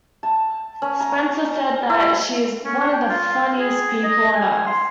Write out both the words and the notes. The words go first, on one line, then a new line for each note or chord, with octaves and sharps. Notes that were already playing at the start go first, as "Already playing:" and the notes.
Spencer said that she is "one of the funniest people on Earth".
A5
C#4
A#5
E4
C#4
C#5
G5
F4
G#4
D#5
G#5
C6